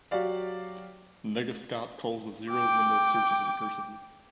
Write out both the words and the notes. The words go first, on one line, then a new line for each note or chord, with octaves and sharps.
NegaScout calls the zero-window searches recursively.
F#3 F#4 G4 D5 F5
G5 D6